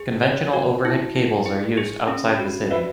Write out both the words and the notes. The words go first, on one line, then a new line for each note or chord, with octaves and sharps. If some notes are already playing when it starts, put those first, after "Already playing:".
Conventional overhead cables are used outside the city.
Already playing: G#4
C#5
F#4
E4
E4
G#4
G#4
C#4
F#4
F#4 B4 E5